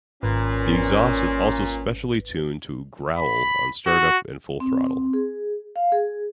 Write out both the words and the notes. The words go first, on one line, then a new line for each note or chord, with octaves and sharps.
The exhaust is also specially tuned to "growl" on start-up and full throttle.
G#1 A#2 C#4 B4
B5
F#4
C4
G#4
F5
G#4